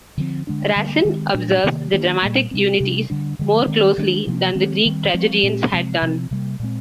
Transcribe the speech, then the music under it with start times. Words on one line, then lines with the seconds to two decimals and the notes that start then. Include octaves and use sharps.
Racine observes the dramatic unities more closely than the Greek tragedians had done.
0.17 D3 F3 G#3 C4
0.47 D3 G#3 D4
0.76 D3 G3 A#3
1.05 D#3 G#3 C4
1.34 A#2 G#3 D4
1.64 C3 D#3 A#3
1.93 D#3 A#3 D4
2.22 A#2 G3 A#3
2.51 C3 G3 C4
2.80 C3 G3 D4
3.10 D3 G3 D4
3.39 D3 F3 G#3
3.67 D#3 G#3 C4
3.98 D#3 G#3 D4
4.27 C3 F3 A#3
4.55 D#3 G#3 C4
4.85 D#3 G3 C4
5.14 F3 G#3 C4
5.43 A#2 G#3 C4
5.72 C3 F3 G#3 C4
6.02 C3 F3 C4
6.31 C3 G3 A#3
6.60 A#2 G#3 C4